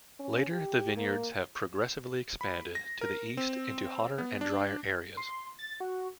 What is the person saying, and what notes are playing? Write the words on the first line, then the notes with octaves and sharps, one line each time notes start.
Later, the vineyards have progressively expanded to the east into hotter and drier areas.
C#4
G4
A#3
B5
A#6
A#4
C4
B3
D4
C6
A6
F#4